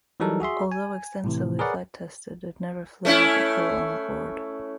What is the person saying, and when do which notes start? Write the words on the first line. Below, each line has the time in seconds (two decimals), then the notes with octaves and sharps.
Although extensively flight tested, it never flew with a crew on board.
0.20 E3 F#3 G3 D#4 A4 A#4
0.40 F#4 G#4 E5 C6
0.72 G#5
1.24 A2 C3 E3
1.59 G#4 A#4 B4 C#5 D5 F#5
3.05 A3 C#4 E4